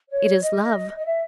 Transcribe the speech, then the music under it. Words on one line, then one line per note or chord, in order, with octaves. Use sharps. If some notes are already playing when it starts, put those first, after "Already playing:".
It is love.
C#5
D#5
D#5
E5